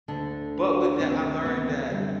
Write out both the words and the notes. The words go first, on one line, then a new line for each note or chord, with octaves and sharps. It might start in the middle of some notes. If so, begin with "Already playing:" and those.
But with that, I learned that
D2 D3 D4
D2 C3 E3 C4
B3
F#2 D3 G3